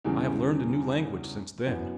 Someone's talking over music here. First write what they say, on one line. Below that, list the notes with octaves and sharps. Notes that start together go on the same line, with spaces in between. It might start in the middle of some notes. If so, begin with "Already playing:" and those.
I have learned a new language since then.
E2 C#3 E3 G3 C#4
F#2 E3 B3